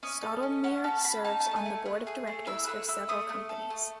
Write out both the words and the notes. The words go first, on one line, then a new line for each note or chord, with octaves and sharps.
Stottlemyre serves on the board of directors for several companies.
C#4 D#5
A4
C#4
C#4 F#5
C#4 A5
A5
F#4 B5
D#4 A5
A5
A3
A5
G#5
A3
A3 F#6
G#4
A3
E4 E6
F#6
A3 E6
E4 E6
A3 D#6
A3
A4
A3